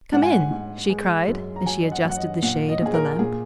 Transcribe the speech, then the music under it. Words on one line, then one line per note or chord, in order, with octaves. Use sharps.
"Come in!" she cried, as she adjusted the shade of the lamp.
G#2 F#5
G#5
F#5
G#2
G#3
F#2
A#5
F#3 G#5
D#5
F#5
F#2 F#5
D#5
A#2 F#5
D#5
A#2 G#4
A#4
A#2 G#4